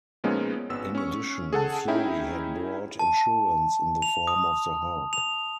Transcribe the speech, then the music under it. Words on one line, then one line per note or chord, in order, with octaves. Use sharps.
In addition, Fury had brought insurance in the form of the Hulk.
A#2 F3 G#3 B3 C#4 D#4
G#1 B3 E6
C#4 C#6
G#4 A4 F#5 A5
C#4 D#4 E4 G#4 E5 G5
A5
F7
D#6
F7